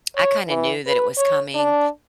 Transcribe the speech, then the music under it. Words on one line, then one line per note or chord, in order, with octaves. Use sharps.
I kinda knew that it was coming.
C#5
E3
B4
C#5
D4